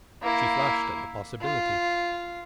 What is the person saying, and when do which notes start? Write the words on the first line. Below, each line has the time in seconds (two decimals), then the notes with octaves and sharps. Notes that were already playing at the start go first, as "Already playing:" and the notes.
She flushed at the possibility.
0.22 A#3 E4
1.42 F4